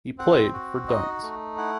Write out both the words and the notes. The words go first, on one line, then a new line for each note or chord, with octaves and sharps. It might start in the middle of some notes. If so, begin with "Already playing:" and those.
He played for Duns.
C4 F#5
F#4
D#4 D#5
A3
E4 F#5